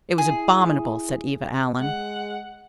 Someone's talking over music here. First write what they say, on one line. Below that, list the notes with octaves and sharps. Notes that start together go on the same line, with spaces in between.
"It was abominable," said Eva Allen.
E4 G#4
G#3 F#5